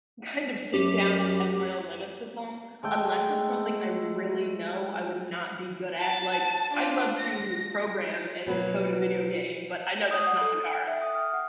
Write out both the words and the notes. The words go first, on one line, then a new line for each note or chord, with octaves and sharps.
kind of sit down, and test my own limits with them, unless it's something I really know I would not be good at, like, I'd love to program, and code a video game, but I know that's not in the cards,
F#2 G4
G#3 A3 G5
A5
D4 F4
A#6
B2 F#3 A#3 B4
D#6
F#5
A4
D#4
G5
E5
D#6
F6
F#5